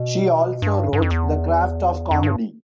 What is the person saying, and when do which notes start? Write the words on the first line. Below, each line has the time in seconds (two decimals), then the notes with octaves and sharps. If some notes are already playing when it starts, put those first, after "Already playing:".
She also wrote "The Craft of Comedy".
Already playing: B2
0.62 G2
0.93 G2
1.02 F2
1.11 E2
2.11 F2
2.23 G2